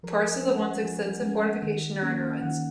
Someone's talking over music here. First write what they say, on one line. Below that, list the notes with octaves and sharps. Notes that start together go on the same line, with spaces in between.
Parts of the once extensive fortification are in ruins.
F3 A#4
G#5
G#3 C#4
F#5
F3
G#3 C#4
D#3
A#3 C#4
D#3 F#5